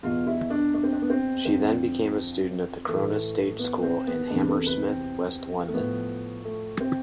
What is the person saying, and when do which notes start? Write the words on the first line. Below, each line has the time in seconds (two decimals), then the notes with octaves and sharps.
She then became a student at the Corona Stage School in Hammersmith, West London.
0.03 E2 B2 F4
0.27 E4
0.50 D4
0.74 D4
0.83 C4
0.92 D4
1.02 B3
1.10 C4
1.45 F2 D3 F3 C4
2.88 A2 E3 A3
3.59 B3
3.83 C4
4.07 B3
4.30 E2 C3 E3 D4
4.49 A4
4.67 B4
4.84 C4
5.67 A3
5.73 A2 F3 B3
6.45 A3
6.80 C4